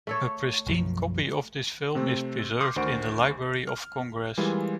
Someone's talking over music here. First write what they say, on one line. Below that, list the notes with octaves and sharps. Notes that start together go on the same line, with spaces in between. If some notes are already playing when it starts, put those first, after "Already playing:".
A pristine copy of this film is preserved in the Library of Congress.
A3 A4 C#5
B1 F#2 F3
C3 A3 C4
C6 D6 D#6 F6 G6
D2 D#3 C5 F#5 C#6 D7
F6
E3 G3 G#3 A#3 F4